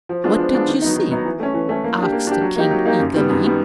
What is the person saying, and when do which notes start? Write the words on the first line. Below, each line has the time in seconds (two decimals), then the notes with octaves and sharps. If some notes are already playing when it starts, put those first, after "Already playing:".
"What did you see?" asked the King eagerly.
0.09 F3
0.24 G#3 B3 D4 F4
0.39 F3
0.53 G#3 B3 D4 F4
0.68 D#3
0.82 F#3 B3 D#4
0.96 D#3
1.11 F#3 B3 D#4
1.25 E3
1.40 A3 C#4
1.54 E3
1.69 A3 C#4
1.84 A#3
1.98 D4 G4
2.12 A#3
2.27 D4 G4
2.41 F#3
2.56 A#3 D#4 G4
2.71 F#3
2.85 A#3 D#4 G4
3.00 F#2
3.14 D#3 G3 B3
3.29 F#2
3.44 D#3 G3 B3